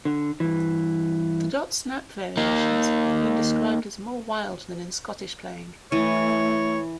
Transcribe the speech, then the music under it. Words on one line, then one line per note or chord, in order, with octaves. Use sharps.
The dot-snap variations have been described as more "wild" than in Scottish playing.
D3
G2 E3
A#3 D#4
E3 A3 C#5